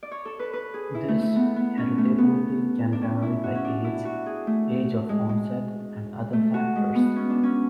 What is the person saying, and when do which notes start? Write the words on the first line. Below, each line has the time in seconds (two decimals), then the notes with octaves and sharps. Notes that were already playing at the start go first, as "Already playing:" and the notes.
This heritability can vary by age, age of onset, and other factors.
0.03 D5
0.11 C#5
0.25 A4
0.39 B4
0.53 B4
0.74 G#4
0.94 E4
1.08 A3
1.22 A3
1.36 B3
1.56 B3
1.77 C#4
1.98 A3
2.18 B3
2.93 D4
3.01 C#4
3.22 E4
3.44 F#4
3.55 C#4
3.65 D4
3.84 E4
4.05 F#4
4.26 G#4
4.47 A3
5.09 G#3
5.29 G#3
6.33 A3
6.54 F#4
6.75 G#3
6.95 B3
7.16 C#4
7.30 D4
7.43 C#4